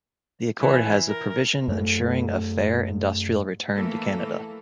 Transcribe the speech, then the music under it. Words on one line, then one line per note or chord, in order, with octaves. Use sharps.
The accord has a provision ensuring a fair industrial return to Canada.
E3
A#4
F#2 A3
E3 A3 A#3 A4